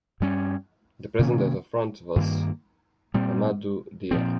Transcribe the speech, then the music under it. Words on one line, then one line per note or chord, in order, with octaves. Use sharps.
The president of the front was Mamadou Dia.
G2 G3 C#4
C3 D#3 A#3 C#4
G2 D#3 A#3
A#2 G3 C4
A#2 F3 C4